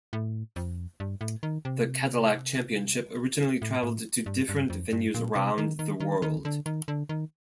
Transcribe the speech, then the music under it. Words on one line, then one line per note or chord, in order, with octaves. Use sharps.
The Cadillac Championship originally traveled to different venues around the world.
A2
F2
G2
A2
D#3
C3
A2
A2
G2
G2
F2
G2
A#2
C3
D#3
D#3
D#3
D#3
D3
D#3
D3
D#3